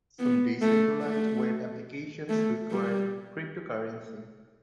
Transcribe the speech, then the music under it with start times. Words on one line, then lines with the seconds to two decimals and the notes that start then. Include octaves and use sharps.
Some decentralized web applications require cryptocurrency.
0.19 B3
0.61 A3
1.03 A3
2.30 A3
2.71 G3